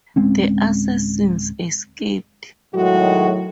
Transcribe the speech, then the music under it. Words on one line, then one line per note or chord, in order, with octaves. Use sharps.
The assassins escaped.
D1 G#3 C4 C#4
A2 D#3 F#3 G#3 F#4